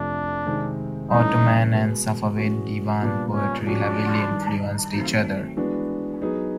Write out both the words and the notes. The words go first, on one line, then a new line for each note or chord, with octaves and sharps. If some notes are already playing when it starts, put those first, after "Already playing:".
Ottoman and Safavid divan poetry heavily influenced each other.
Already playing: F2 C3 F3 A3 D4
C3 D#3 G#3 C4
G2 E3 A3 C#4 D#4 E4
B2 G#3 B3
E3 G#3 C#4 F#4
A#2 G3 B3 D4
C#4
F3 G#3 C#4 D4 F#4
G2 D#3 G3
D#3 F#3 A3 C4
E3 G#3 B3 D4 F#4
F#3 B3 D#4 G#4